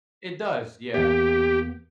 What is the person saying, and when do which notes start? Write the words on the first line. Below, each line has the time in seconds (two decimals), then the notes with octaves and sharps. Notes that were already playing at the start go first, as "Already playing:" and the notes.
It does, yeah.
0.94 E2 A#3 B3 G4